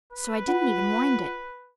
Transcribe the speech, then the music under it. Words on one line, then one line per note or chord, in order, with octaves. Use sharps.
So I didn't even wind it.
B4
F4 F#5